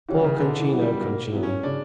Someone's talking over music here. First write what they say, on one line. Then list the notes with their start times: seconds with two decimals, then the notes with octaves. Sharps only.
Poor Concino Concini!
0.09 D3 E3 G3 C#4 F#4
0.24 C#3
0.40 B2 D3
0.60 E3
0.71 F#3 B3 E4
0.81 G3
1.01 B2 A#3
1.32 F#3 B3 E4
1.43 C#4
1.63 C#3 D4